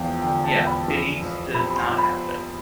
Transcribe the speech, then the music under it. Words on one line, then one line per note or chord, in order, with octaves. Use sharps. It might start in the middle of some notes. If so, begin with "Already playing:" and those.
yeah, it needs to not happen.
Already playing: E2 F3 F5 G5
D3 G5
A5
E2
B5
F3
F2
C3 B5
B5
C6
F2
B5